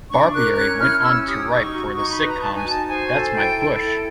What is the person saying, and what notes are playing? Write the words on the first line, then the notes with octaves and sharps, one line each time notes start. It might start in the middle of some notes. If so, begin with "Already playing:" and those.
Barbieri went on to write for the sitcoms That's My Bush!
D4 C#6
A#4 F#6
C#4 F#6
E4 F6
C#4 E6
G4 D#6
D#4 C#6
F#4
D#4 C#6
B5
B4
A#5
D#4 A5
G#5
F#4 A5
C5 G#5
A4
E4 G5
A4
E4